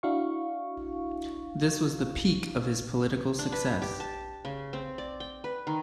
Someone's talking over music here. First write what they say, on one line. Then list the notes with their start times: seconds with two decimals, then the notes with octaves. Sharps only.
This was the peak of his political success.
0.03 D4 E4 F#4 F5 C#6
3.39 D4
3.52 B4
3.82 G4
4.00 A5
4.45 C#3
4.73 C4
4.98 D5
5.20 G5
5.44 B4
5.67 D#3